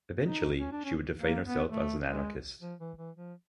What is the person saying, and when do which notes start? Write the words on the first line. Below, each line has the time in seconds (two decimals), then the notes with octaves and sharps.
Eventually she would define herself as an anarchist.
0.24 D#4
0.60 C#4
0.73 D4
0.84 C#4
1.21 A#3
1.46 B3
1.70 A3
2.07 G#3
2.62 F3
2.80 E3
2.98 E3
3.16 F3